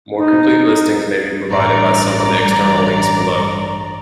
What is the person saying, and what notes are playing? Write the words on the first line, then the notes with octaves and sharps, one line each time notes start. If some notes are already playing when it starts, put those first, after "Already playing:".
More complete listings may be provided by some of the external links below.
D#4
A1 G2 D5 A#5